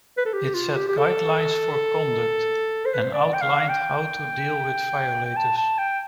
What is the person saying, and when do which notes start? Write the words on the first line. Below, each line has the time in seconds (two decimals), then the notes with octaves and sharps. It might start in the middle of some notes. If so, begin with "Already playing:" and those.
It set guidelines for conduct and outlined how to deal with violators.
0.17 B4
0.25 A4
0.33 G4
0.54 F4
0.76 G4
0.88 G4
0.97 A4
2.85 C5
2.94 B4
3.02 C5
3.13 D5
3.34 G5
3.41 F5
3.69 G5
5.25 G5
5.36 A5
5.57 A5
5.78 G5